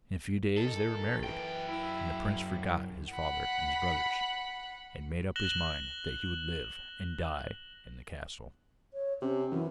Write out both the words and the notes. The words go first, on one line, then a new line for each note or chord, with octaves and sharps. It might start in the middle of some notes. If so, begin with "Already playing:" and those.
In a few days they were married, and the prince forgot his father and his brothers, and made up his mind that he would live and die in the castle.
A#2 D#3 A4
F#2 E3 G5
E4
F#5 B5
F#6 A#6 E7 F#7 G7
C#5
C3 C#4
F#2 E3